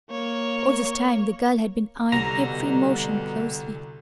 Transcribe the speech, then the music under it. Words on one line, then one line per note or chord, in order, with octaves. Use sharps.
All this time the girl had been eyeing every motion closely.
A#3 C#5
C2 B2 D3 G3 A#5